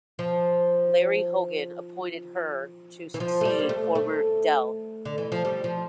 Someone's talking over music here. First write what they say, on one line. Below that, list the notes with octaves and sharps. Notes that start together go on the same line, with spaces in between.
Larry Hogan appointed her to succeed former Del.
F3
E3
F3
A3
G3
A#3
A3
A3
D3
E3
F3
G3
F3